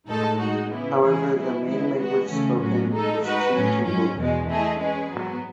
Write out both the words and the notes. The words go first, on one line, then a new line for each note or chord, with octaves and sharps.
However the main language spoken is chiTumbuka.
A2 G#3 D#4 A4
G#3 D#4 F#4
C#3 E3 B3 E4
E3 G#3 C#4 E4 G#4
F#3 B3 E4
D#3 G#3 B3 E4
G#3 B3 F#4
C#3 E3 A3 C#4
A2 F#3 C#4 F#4
G#3 D#4 A4
G#3 D#4 F#4 B4
A2 F#3 C#4
G#2 F#3 C#4
E2 B2 G#3
A3 E4 G#4 D#5
G#3 C#4 G#4 B4
G#2 F#3 B3